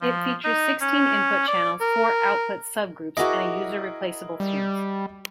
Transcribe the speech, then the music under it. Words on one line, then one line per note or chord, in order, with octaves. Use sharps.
It features sixteen input channels, four output sub-groups, and a user-replaceable fuse.
F3
D#4
C#4
D5
A#4
E4 F#4 G#4 A#4 D#5 D6
G3